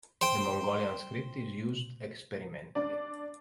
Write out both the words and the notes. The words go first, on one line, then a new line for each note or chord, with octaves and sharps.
The Mongolian script is used experimentally.
C5 G5
D4 D5